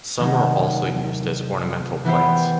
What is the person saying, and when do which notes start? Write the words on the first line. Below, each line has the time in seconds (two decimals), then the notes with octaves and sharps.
Some are also used as ornamental plants.
0.19 C3 D#3 F#3 A3 D#4
2.04 E3 B3 E4 G4 C5